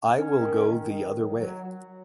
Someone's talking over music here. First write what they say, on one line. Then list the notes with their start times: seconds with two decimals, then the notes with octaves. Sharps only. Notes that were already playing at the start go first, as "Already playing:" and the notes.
I will go the other way.
0.16 C#4
0.40 D#3
0.65 D#3
0.90 D#3
1.15 F#3
1.40 F#3
1.64 F#3